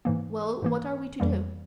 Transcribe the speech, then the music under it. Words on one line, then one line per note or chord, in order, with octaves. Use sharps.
"Well, what are we to do?"
G#2 E3 A#3
G#2 E3 A#3
F2 E3 G3 A#3